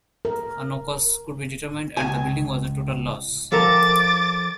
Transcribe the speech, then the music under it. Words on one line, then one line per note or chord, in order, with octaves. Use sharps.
No cause could be determined and the building was a total loss.
A#4
C#2 G#5
F3 A4 A#4 D6 A6